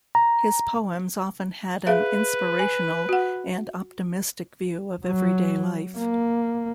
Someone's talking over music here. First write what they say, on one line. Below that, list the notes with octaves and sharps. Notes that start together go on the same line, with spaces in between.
His poems often had an inspirational and optimistic view of everyday life.
A#5
G#4 B4 E5 F5
G#5
F#4 F#5
F#3
A#3